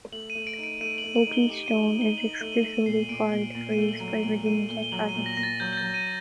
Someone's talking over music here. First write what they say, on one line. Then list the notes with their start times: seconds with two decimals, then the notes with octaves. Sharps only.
Hokie Stone is exclusively quarried for use by Virginia Tech projects.
0.12 A3 F#7
0.30 D#7
0.35 A3
0.47 D7
0.58 D#4
0.64 D7
0.81 A3 D#7
0.98 F#7
1.04 A3
1.15 F#7
1.27 D#4
1.32 G7
1.49 G4 F#7
1.66 D#7
1.73 D#4
1.83 F#7
1.96 D#4
2.01 G7
2.18 D#4 F#7
2.41 A3
2.52 D#7
2.63 A3 F#7
2.74 D#7
2.86 A#2 C7
3.09 A#2 D7
3.32 A#2 G7
3.55 A#2 F#7
3.72 D#7
3.78 A3 G7
3.89 F#7
4.00 F#3
4.23 A#2 D7
4.46 A3 D#7
4.69 A#2 G7
4.83 G7
4.92 F#3 F#7
5.09 D#7
5.15 A#2
5.26 A#6
5.37 A#2 A#6
5.43 A6
5.60 F#3 G6
5.73 G6
5.77 A6
5.83 F#3
5.94 D#7